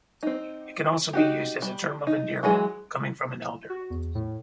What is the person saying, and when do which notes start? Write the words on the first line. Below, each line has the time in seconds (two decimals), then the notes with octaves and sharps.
It can also be used as a term of endearment coming from an elder.
0.23 C4 D#4
1.13 D#4 F#4 G4
1.62 G3
2.07 D#4
2.43 E3 F#3 G#3 G#4
3.70 F#4
3.90 E2
4.15 A2